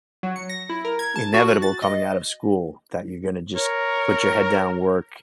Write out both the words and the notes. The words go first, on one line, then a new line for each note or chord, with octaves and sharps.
inevitable coming out of school that you're gonna just put your head down, work,
F#3
C#7
A#6
E4
A#4
G#6
A5
F#4
F#6
A6
D#5
A#4 C#5